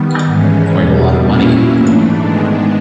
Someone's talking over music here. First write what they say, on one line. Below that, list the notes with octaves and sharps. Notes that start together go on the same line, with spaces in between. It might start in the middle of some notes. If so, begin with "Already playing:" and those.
Quite a lot of money.
Already playing: D#3 G3 B3
G#2 E3 G#3 C#4
E2 B2 G3
A#2 F#3 A#3 C#4 E4
G#2 E3 A3 D4
G#2 D#3 G#3 B3 D4